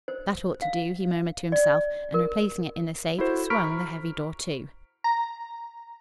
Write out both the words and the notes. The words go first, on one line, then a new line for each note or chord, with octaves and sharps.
"That ought to do," he murmured to himself, and, replacing it in the safe, swung the heavy door to.
C5
F5
D5
A#4
E4 F#4 A4 C5
A#5 B5 C#6 F6 B6 D7
A#5